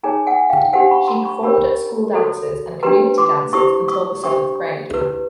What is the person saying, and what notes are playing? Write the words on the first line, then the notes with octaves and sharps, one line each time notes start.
She performed at school dances and community dances until the seventh grade.
D#4 G#4 C#5 G#5 A#5
F#5 G#5
F5 G5
D4 G4 C5 F#5 G#5
B5 C#6
A#5 C6
B5 C#6
D4 G4 A#4 C#5 B5 C#6
F#4 A4 C#5
D4 G4 B4 A#5 C6
C6 D6
E4 G4 C5 C#6 D#6
C#6 D#6
D4 G4 C5 C#6 D#6
E4 G4 B4